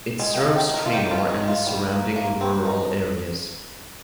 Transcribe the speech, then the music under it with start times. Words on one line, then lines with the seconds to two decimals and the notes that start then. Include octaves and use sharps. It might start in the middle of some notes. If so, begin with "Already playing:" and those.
It serves Treynor and the surrounding rural areas.
0.19 G#3
0.34 G5
0.38 F5
0.43 D#4
0.56 G5
0.69 D#4
0.74 A#4
0.86 F4
0.92 D#3 G4
1.11 F4
1.18 G#3
1.29 D#4
1.42 D#3
1.48 F4
1.67 G3
1.92 A#3
2.16 A#3
2.41 C4
2.65 D#4